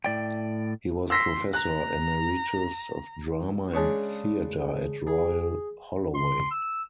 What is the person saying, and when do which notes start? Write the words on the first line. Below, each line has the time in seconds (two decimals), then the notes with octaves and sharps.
He was Professor Emeritus of Drama and Theatre at Royal Holloway.
0.04 A2 D5 G5
1.10 C6 E6 A#6 B6
1.53 A#5 F#6
3.73 C#3 G#3 C#4 D4 B5 C#6
5.07 G#4
6.15 C6
6.51 E6